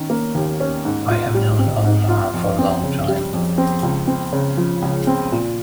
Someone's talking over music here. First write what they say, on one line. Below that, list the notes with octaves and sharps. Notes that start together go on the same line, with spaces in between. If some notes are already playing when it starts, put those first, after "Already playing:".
I have known Omar for a long time.
Already playing: D#3 C#4
A#3
D#2
C#4
G#2
F4
G3
C4
G#2
F4
F2
C4
C#3
G3
F2
C4
C#2
C4
C#3
F3
C#2
C4
A#2